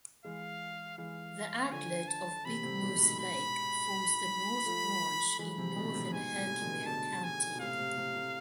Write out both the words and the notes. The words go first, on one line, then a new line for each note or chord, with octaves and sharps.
The outlet of Big Moose Lake forms the North Branch in northern Herkimer County.
E3 G#3 F5
E3 G#3 F5
D3 F3 G#5
A5
C3 E3 B5
A2 C3
G#2 B2
G#2 B2
B5
F3 A3
E3 G#3 B5
C3 E3
B2 D3
A2 C3
G#2 B2 G#5
A2 C3
B2 D3
B2 D3 A5
G#5
B2
A2 C3 F5
A2 C3
A2 C3
A2 C3